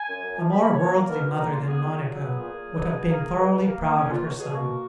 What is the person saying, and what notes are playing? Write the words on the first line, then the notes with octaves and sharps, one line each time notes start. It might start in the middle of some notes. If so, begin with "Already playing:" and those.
A more worldly mother than Monica would have been thoroughly proud of her son.
Already playing: G#5
F#2
F#2
F3
B2 B5
B2
C#5
A#3
A#3
B2 A#4
B2
A#3 D#4
A#3 F4
B3 G#4
A#2
A#2
F#3
B3
A#2
A#2
F#3
B2
B2
A#3
A#3
B2
B2
A#3
A#3
A#3 C#4
C#2 F4
C#2 F#4
B2 G#4
A#3 F#4